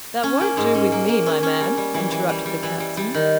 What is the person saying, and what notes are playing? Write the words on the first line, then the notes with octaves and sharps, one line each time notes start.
"That won't do with me, my man," interrupted the captain.
C#4
A#3
G#2
C#4
A#3
A#3
C#4
C#4
G3
G3
E3
E3
G3
G3
E3
G3
G3
D#3